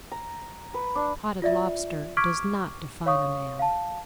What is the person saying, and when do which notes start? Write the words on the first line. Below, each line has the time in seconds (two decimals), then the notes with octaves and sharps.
Potted lobster does not define a man.
0.12 A#5
0.74 B4
0.95 D4
1.42 F4 D5 E5
2.17 C#6 D6 F6 G#6 B6 D7
3.06 C#5 F5 C#6 D#6
3.59 F5 A5